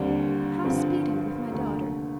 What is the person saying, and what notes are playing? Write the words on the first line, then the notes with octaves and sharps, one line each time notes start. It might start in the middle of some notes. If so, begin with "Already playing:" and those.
"How speed you with my daughter?"
Already playing: D#2 D3 G3 C4
G2 D3 F3 C4
F1 D#2 D3 A3